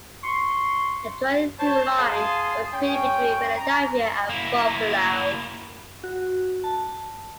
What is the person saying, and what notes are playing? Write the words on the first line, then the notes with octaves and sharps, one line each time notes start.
A joint through line was created between Philadelphia and Buffalo.
C6 C#6
C5 C#5 A5
G#4 F5 A5 C6 D#6
G#3 C#4 C#5 G5
A#5
A#3 E4
F#4
A5